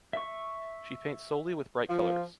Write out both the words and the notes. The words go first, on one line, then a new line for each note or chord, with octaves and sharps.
She paints solely with bright colors.
E5 C#6
F3 F4